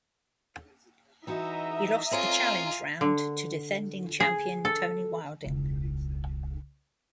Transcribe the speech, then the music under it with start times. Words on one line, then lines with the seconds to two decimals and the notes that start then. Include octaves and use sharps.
He lost the Challenge Round to defending champion Tony Wilding.
1.27 E3 D#4 F#4 D#5 E5 A#5
2.11 A3 C4 F4 C#5 G#5
3.01 D3
4.20 G#4
4.65 A4
5.44 E1 C#2